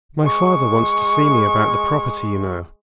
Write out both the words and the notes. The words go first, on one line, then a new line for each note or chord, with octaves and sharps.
"My father wants to see me about the property, you know."
G#3 C#6